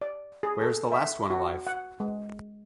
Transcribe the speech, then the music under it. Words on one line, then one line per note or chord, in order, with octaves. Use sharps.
Where’s the last one alive?
D5
G#4
A4
E5
F#4
F#5
G#3